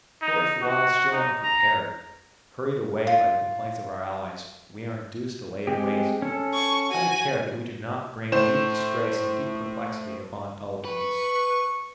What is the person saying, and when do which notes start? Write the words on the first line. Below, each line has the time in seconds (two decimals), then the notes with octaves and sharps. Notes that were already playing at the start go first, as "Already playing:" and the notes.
For if while still unprepared, hurried away by the complaints of our allies, we are induced to lay it waste, have a care that we do not bring deep disgrace and deep perplexity upon Peloponnese.
0.22 D#4
0.62 F#4
1.12 D#4
1.42 A#5
3.07 F4
5.67 G#3 C4 G4
6.22 C#4 A4
6.54 C#6
6.90 F#4 G#5
8.32 A2 C5 E7
10.85 B4 C#6